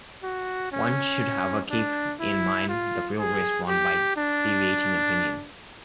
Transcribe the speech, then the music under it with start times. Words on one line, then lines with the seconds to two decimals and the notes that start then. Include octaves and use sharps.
One should however keep in mind the real risk run by deviating opinion.
0.23 F#4
0.72 C#4
1.71 D4
2.20 E4
2.69 F4
3.19 G#4
3.68 G4
4.17 D4